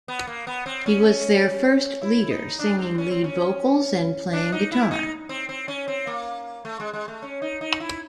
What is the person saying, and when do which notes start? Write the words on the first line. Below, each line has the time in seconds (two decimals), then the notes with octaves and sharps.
He was their first leader, singing lead vocals and playing guitar.
0.08 B3
0.27 A#3
0.47 B3
0.66 C4
0.86 C#4
2.02 E4
2.31 D#4
2.59 D4
2.78 C4
2.98 C#4
3.11 C4
3.24 C#4
4.33 D4
4.52 D#4
4.71 E4
4.91 D#4
5.29 C4
5.49 C4
5.68 C#4
5.88 C4
6.07 A#3
6.65 A3
6.80 G#3
6.93 G#3
7.08 A3
7.22 C#4
7.42 D#4
7.61 D#4
7.80 E4